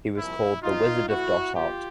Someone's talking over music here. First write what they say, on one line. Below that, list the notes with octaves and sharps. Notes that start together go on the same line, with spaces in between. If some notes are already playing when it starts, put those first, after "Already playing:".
He was called The Wizard of Dot Art.
C2 A#2 F3 E4
E2 B2 G3 D#4 F4
A2 E3 A3 E4 F#4
C2 B2 G3 B3 F4 G4